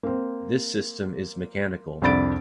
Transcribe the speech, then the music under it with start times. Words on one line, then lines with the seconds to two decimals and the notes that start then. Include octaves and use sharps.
This system is mechanical.
0.03 A#3 C4
2.02 C2 F2 D4 B5 A6 D7